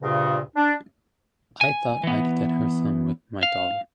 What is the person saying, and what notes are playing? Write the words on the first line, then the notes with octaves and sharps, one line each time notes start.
I thought I'd get her some with my dollar.
D2 G2 A#2 C#3
D4
G#5
E3 B3
F5